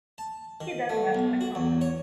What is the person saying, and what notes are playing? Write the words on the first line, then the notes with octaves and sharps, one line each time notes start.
He then left the club.
A5
D#3
A3
B1
F#4
E2
C#5